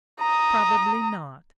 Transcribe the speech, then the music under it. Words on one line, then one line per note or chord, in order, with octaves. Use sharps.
Probably not.
A#5 D#6